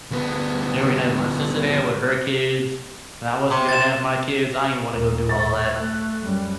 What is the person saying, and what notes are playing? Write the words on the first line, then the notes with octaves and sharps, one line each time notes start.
they were gonna have my sister there with her kids, and I wasn't gonna have my kids, I ain't wanna go do all that,
D2 B3
C3
A6 E7
D#2 A#2 A#4
E5 C#6 A6
A3 F#6
F#2 G3